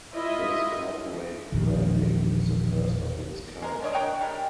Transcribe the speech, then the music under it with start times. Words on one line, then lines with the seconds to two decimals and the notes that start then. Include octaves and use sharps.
This corporate branding is the first of its kind.
0.13 E4 F4 D#5 E5
1.52 E1 A#1 D#3
3.62 G#3 A#4
3.81 C3 D4 C#5 D#5
3.95 D4 A#4 C#5 G5
4.21 G3 G#3 A#4